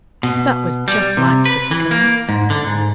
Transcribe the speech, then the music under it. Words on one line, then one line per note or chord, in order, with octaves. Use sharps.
That was just like Cissycums.
B2
G3
C3
B4
E3
A#3
G#2
D3
G#2